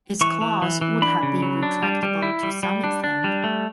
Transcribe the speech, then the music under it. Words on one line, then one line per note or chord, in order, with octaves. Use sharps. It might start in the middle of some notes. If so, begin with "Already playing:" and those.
Its claws would have been retractable to some extent.
E3 C#6
E3
E3
E3
D4 B5
C#3
F#3
D4
G3
G3
E4
G3
G3
D4
D4
G3
A3